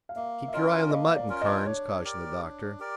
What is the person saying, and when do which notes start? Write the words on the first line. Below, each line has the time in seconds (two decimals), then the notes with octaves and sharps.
"Keep your eye on the mutton, Carnes," cautioned the doctor.
0.09 F5
0.16 A#3 E5
0.48 E5
0.53 C#4 F4 A#4 D#5
0.91 A#3 D#5
1.16 D5
1.29 C#4 F4 A#4
1.41 D#5
1.66 D4 C#5
2.04 G4 A#4 D5
2.42 D4
2.79 G4 A#4 D5